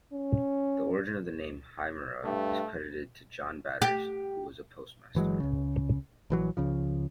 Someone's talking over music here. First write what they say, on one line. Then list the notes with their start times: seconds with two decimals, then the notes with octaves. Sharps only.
The origin of the name Hymera is credited to John Badders, who was postmaster.
0.13 C#4
2.24 G2 A3
3.82 G4
5.15 G1 E3 F#3 G#3
5.40 C#2 C#3
6.30 A#1 E3 F#3
6.57 C#2 C#3 F3